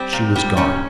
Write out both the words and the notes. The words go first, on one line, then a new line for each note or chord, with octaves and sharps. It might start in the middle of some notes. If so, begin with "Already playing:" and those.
She was gone....
Already playing: G3 C4
A#2
G3
A#2 C#4